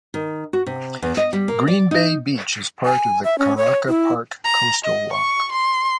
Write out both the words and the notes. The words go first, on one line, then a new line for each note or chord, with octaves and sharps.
Green Bay beach is part of the Karaka Park coastal walk.
D#3
F#4
C3
E2
D#5
G3
A#3
D5
D#4
G#5
E5
C#4
C#5
E4
A#5
D#5
C#6
C6